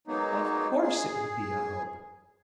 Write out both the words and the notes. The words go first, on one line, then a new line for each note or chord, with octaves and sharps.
"Of course it would be a hope."
F#3 G#3 A#3 B3 D#4
G#4